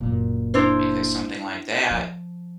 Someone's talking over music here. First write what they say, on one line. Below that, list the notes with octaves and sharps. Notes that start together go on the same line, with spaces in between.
because something like that.
F#1 A#2
D4 E4 C5
F3